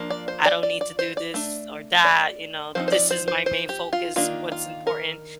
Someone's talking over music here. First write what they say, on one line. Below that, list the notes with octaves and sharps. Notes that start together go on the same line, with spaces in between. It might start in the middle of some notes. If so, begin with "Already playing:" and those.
"I don't need to do this or that," you know, "This is my main focus, what's important."
Already playing: F3 A#3 D4
D5
C5
D5
D5
D5
C5
D5
A3 D4
D5
F3 C4 D#4 C5
C5
D5
C5
C5
C5
G4
F4
D#3 A#3 D4 F4
F4
A#4